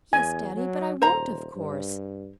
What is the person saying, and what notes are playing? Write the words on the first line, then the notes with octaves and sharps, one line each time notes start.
"Yes, daddy; but I won't, of course."
E2 G#5
F#3
D#1 C5 A#5
G2